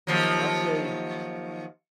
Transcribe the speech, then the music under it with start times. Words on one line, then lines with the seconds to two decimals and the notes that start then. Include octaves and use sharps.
I say
0.07 D#2 F3 F#3